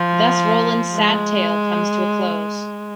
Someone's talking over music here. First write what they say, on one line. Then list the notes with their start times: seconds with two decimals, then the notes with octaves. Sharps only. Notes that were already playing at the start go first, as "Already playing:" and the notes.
Thus Roland's sad tale comes to a close.
Already playing: F3
0.95 G#3